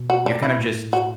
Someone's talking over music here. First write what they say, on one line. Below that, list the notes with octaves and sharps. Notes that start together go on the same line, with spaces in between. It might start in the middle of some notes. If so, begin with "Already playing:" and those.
you're kind of just
Already playing: B2
F#4
D4
E4
A2
F#4